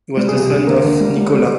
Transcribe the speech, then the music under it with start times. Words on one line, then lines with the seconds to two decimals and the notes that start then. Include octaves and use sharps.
He was the son of Nikola.
0.17 G3
0.28 G#4
0.34 C3
0.40 G4
0.50 D2 G#4
0.67 D2 A#3 A#4
0.84 D2
1.00 G3
1.17 G3
1.34 G3